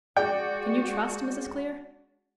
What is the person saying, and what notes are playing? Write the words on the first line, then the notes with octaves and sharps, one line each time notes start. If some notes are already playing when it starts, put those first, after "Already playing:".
"Can you trust Mrs. Clear?"
G#3 F#4 G#4 D5 G5